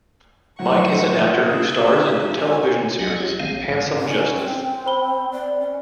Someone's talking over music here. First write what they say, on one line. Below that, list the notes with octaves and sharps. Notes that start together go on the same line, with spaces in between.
Mike is an actor who stars in the television series "Handsome Justice".
A2 F#3 C5 F#5 C#6
F3 F#4 A4
E5 D#6 F#6
F#4 C#5 G#5
C2 F#3 F4 D#5 F#5
G4 G#4 C#5
A1 D#3 G#3 C4 F5
A#1
G#2
C#4
C4
C5 B5 G7
D5
C#4